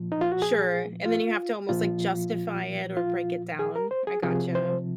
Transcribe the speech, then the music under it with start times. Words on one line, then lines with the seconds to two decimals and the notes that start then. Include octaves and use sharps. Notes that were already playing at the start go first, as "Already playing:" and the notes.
Sure and then you have to almost, like, justify it or break it down. I gotcha,
Already playing: A#2 F3
0.12 D#4
0.21 F4
0.32 F#4
0.42 G#4
1.06 F4
1.69 A#2 F3 F4
2.97 F4
3.59 G#4
3.76 A#4
3.91 C5
4.07 G#4
4.23 C3 F3 G#4
4.55 C5